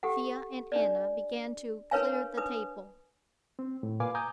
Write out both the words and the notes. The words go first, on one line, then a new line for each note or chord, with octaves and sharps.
Thea and Anna began to clear the table.
G4 A4 F#5
D4 D5
D4 A#4 B4 C#5 F5 G#5
D4 B4 D#6
C4
A2
A#2 B4 F5 G#5 D6
G#5 A#5 D6 D#6 G6